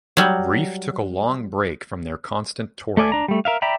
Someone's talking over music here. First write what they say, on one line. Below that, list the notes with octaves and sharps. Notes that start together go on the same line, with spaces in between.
Reef took a long break from their constant touring.
F#3 G3
A3 A4 D5 G#5
D4 A#5
G3 A3
A#4 E5 F5
D5 E5 G5 A#5 B5